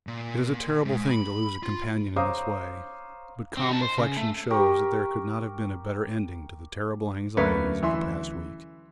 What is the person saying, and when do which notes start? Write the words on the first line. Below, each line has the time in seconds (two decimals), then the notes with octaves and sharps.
It is a terrible thing to lose a companion in this way, but calm reflection shows that there could not have been a better ending to the terrible anxieties of the past week.
0.07 A#2
0.85 G#2
1.11 B5
1.63 F4
2.16 C5 C#5 F5 A#5 D6 D#6
3.57 C4 F#4
3.70 D#4 A5
3.82 C5
3.98 C#3
4.17 A3
4.50 G4 A#4 C#6
7.37 D2 F#3 A3 A#3 C#4 B4
7.83 E3 E5 C6